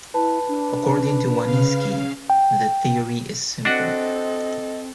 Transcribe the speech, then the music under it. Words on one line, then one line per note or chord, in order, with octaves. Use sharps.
According to Wanniski, the theory is simple.
E4 B4 A5
D4
C#3 F5
G5
C4 D4 F#4 A4 D#5 F#5